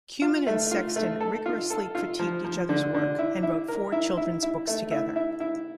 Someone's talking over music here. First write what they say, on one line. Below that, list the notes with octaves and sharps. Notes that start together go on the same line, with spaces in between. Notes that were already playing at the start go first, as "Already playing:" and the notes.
Kumin and Sexton rigorously critiqued each other's work and wrote four children's books together.
F4
A3
F4
A3
A4
F4
A4
F4
F3
F3
D3
D3
E4
E4
A#4
E4
E4
E4
A3
E4
E4
E4